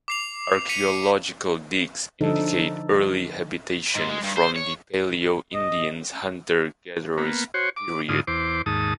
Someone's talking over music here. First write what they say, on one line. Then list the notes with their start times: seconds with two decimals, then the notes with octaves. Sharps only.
Archeological digs indicate early habitation from the Paleo-Indians Hunter-gatherers period.
0.08 D6 C7 F7
0.69 B6 C#7 D#7 F7
2.21 D3 F3 D#4 A4
3.95 G#2
4.09 G#3
4.23 G2
4.37 C5
4.56 C#5
5.54 D#5
7.18 A#3 B3
7.54 F#4 C5 C#5
7.76 D6
8.09 G#2 D3 F4 D#6
8.27 E2 C5 D6
8.66 D#2 G#2 A5 D#6